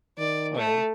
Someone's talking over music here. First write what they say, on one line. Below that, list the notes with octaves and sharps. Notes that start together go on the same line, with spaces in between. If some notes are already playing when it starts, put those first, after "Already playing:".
Oh, yeah?
D#3 D5
A3 A4